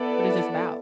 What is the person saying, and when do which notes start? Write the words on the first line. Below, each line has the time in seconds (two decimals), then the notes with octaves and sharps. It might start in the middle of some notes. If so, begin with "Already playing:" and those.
what is this about?
Already playing: B3 E4 A4 D5